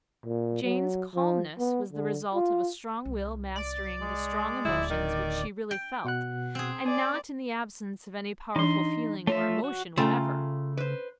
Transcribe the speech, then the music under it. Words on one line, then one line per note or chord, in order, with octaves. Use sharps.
Jane's calmness was the result of a strong will mastering the strong emotions which she really felt, and not in the absence of any powerful feeling or emotion whatever.
A#2
F#3
F3
B3
D3
F4
C2
D5
G#3
D1 D2 E4
D#3
G5
B2 F#5 F#6
C4 G#4
D5 G#5
E3 D4 D#4 C6
A3 F4 C#5 E5
F#4
C#3 A3 F4 G5 A#5
B4 C5